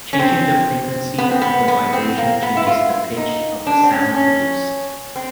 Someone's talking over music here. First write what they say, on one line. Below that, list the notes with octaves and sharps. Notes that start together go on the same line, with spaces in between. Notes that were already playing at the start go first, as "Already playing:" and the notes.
Changing the frequency of the vibration changes the pitch of the sound produced.
C#4
C4
B3
C4
B3
B3
C4
A#3
B3
E4
F4
D#4
D4
C4
C#4
C#4
C4